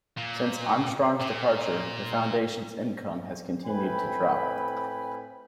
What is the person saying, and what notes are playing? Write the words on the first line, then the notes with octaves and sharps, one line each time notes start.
Since Armstrong's departure, the foundation's income has continued to drop.
A#2
A#2
A2 C4 B4 G5 G#5 B5